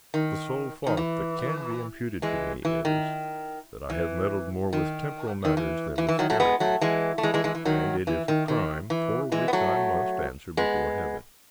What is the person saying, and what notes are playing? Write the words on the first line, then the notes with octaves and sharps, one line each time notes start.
The sole fault that can be imputed to me is, that I have meddled more with temporal matters than with spiritual, and it is a crime for which I must answer before Heaven.
D#3
D#3
E3
E3 G#3
E3
D#3
E3
D#3
D#3
E3
E3
E3
D#3 F#3
F#3 A3
G#3 B3
F#3 A3
E3 G#3
A3
E3 G#3
E3 G#3
E3 G#3
E3
D#3 F#3
E3
D#3
D#3
E3
E3 G#3
B3
F#3 A3
G#3 B3